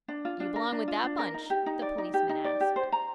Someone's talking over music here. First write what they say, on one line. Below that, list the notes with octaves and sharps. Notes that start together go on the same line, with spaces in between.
"Do you belong with that bunch?" the policeman asked.
D4
F4
D4
A#4
D4
F4
D4
A#4
D#4
G4
D#4
D5
D#4
G4
D#4
D5
G4
C5
A#5